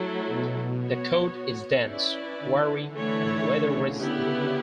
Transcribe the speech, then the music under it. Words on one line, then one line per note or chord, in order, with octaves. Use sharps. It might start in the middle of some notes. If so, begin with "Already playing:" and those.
The coat is dense, wiry, and weather resistant.
Already playing: F#3 A3 E4 A4
B2
B3 F#4 C#5
C#4 E4 B4 D5
D3
E3 A3 E4 A4 C#5
C#3
B3 E4 G4 B4